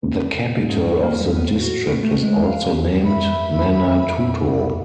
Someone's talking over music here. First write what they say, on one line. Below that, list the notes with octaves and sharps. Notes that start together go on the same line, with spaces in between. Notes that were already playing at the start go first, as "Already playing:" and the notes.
The capital of the district is also named Manatuto.
G#2
G2
A#3
G3
B3
C5
F#4
A2
A3
G#3
F5
G4
F2 E5 B5